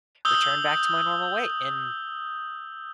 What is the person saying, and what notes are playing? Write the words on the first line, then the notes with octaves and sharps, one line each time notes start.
returned back to my normal weight in
D#6 E6 G6 G7